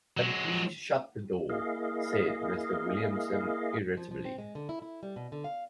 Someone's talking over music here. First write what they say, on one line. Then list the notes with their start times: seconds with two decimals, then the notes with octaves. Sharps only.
And "Please shut that door," said Mr. Williamson, irritably.
0.17 F#3 G#3
1.49 A#3 E4 G#4 D#5 F5
3.97 F3
4.11 F3
4.25 C4
4.38 G#3
4.55 D3
4.69 E4
4.82 E4
5.03 G3
5.16 B2
5.32 D3
5.44 F5